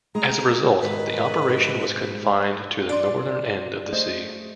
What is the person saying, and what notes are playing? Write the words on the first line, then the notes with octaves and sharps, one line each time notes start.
As a result, the operation was confined to the northern end of the sea.
G#3 A#5
G#2 D#3 B4
D4 D5 C6
A3 G#4 C5 D#5